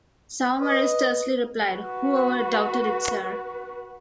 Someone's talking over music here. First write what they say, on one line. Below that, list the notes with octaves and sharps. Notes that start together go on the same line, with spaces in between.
Saumarez tersely replied Whoever doubted it, sir?
B4 D#5
F#4 B4